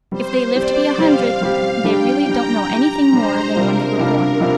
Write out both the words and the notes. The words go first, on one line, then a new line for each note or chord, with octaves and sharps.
If they live to be a hundred they really don't know anything more than when they were born.
G3 C4 G4 C5
G3 C4 G4 D5
G3 C4 G4 F5
G3 C4 G4
G3 D4 G4 G5
G3 D4 G4 A#5
G3 D4 G4
G3 D4 G4 C5
C3 G3 D4 F4 A#4
C3 G3 D4 F4
C3 G3 D4 F4